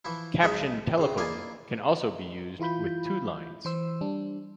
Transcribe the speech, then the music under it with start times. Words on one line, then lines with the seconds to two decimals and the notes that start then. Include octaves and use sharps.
Captioned telephone can also be used with two lines.
0.05 E3 F3 E4
0.41 B1 F3 G#3 D#4 D#5 E5
0.98 C#3 C4
1.17 A#3 E4 F4 D5 D#5 G#5
2.60 E3 E4 F4 B5 G6
3.65 E3 C5 E6
4.01 G3 D4